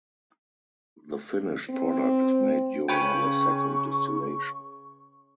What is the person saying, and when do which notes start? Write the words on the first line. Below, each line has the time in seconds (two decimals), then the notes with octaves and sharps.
The finished product is made during the second distillation.
1.70 C4
2.88 C#3 C#4 B4 G5 C#6